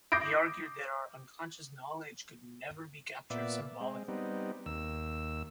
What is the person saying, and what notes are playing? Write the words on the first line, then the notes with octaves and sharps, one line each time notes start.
He argued that our unconscious knowledge could "never" be captured symbolically.
D6 D#6 G6 A#6 C7 D7
A#2 B3 D5 E5
G#3 C4
G3 B3 C4 D#4
D#2 E6